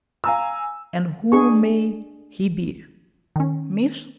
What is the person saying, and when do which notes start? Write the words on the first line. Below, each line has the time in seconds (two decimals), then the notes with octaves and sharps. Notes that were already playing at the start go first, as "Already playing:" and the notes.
And who may he be, miss?
0.24 F5 G#5 A#5 E6
1.32 D4 G#4 C#6
3.36 D#3 C#4